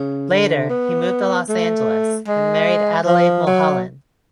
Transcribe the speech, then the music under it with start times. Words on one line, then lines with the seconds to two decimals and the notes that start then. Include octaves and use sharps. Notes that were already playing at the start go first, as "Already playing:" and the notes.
Later, he moved to Los Angeles and married Adelaide Mulholland.
Already playing: C#3
0.30 D3
0.70 B3
1.49 A3
2.28 G#3
3.06 F3
3.47 F#3